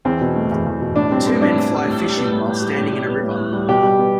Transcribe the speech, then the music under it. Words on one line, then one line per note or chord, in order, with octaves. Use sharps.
Two men fly fishing while standing in a river.
E2 C4
B2
A3
E2
E2
B2
A2 D4
G3 C4
B3 C4
A2 D4
A2
G3
A2
G3
B3
A2
A2
G3
A2
G3
B3
A2
A2
G3
B2 G4
G3
B3